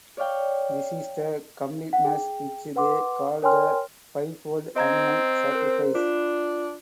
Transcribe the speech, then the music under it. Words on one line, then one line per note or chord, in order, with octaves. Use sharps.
This is the completeness which they call the fivefold animal sacrifice.
C#5 D5 F5 G5
F#5
G#4 G5
B4 F#5 C6 D6
A#4 C#5 G5 G#5 C6 F6
C4 D#5 A#5 G#6
A#4 C5
D4 F4